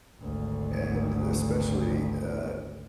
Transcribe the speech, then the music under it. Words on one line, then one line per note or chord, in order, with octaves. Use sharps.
and especially, uh
G#1 D2